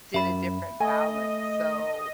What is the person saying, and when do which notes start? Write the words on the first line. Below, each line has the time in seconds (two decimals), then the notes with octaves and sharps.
did a different balance. So,
0.14 F#2 E5 B5
0.80 A3 D#5 G#5